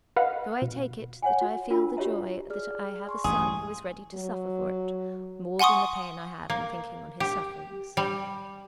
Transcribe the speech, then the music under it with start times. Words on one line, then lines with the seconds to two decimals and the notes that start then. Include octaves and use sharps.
So I take it that I feel the joy that I have a son who is ready to suffer for it, more than the pain I have in thinking on his sufferings.
0.16 B4 D#5 F5 F#5 B5
0.62 B2
1.22 C#5 F#5 G#5
1.41 F#4
1.70 D4 F4 F#4 A#4 B5
1.97 F#4 G4 C#5 E5 A#5
2.50 G#4 D5 F6
3.07 G#5 C6 C#6
3.24 A1 G2 E3 G#4
4.14 F#3
5.59 F#5 G#5 C6 C#6 D#6
6.50 A#3
7.20 G4
7.97 G3